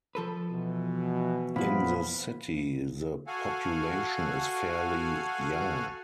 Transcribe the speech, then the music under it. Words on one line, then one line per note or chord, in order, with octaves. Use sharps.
In the city, the population is fairly young.
F3 A4 B4
B2 E3
A#2 F3 B3 E4
F#4 A4 F5 F#5 G#5